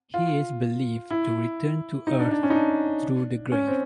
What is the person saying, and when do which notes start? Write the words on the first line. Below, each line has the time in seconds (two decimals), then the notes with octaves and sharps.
He is believed to return to earth through the grave.
0.14 F4
1.11 E4
2.07 D#4
2.19 D4
2.31 D4
2.43 C#4
2.50 D#4
2.55 D4
3.52 C#4
3.67 C4